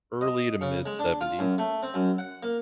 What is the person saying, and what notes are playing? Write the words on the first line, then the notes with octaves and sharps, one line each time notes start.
early to mid-seventies,
D#5
C#3
G#3
D4
F4
F#2
A3
C4
F#2
F#5
A#3